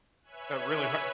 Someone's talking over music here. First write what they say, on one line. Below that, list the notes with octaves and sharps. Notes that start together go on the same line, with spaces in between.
that really h
B4 C#5 E5 G#5 F#6